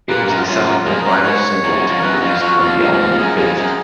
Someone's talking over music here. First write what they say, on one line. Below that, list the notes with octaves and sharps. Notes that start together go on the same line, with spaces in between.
It was the seventh and final single to be released from the album "Faith".
A#2 B4
A#4
F#2
F4
F#2
F2 G#4
A#4
F#2
B4
G#2 C#5
F#2
G#2
F#2
F2
A#4
F#2 B4
F#4
F2
F4
F2 F#4
F2 F4
F#2
F#2
G#2
F2
F#2 G#4
F2
F#2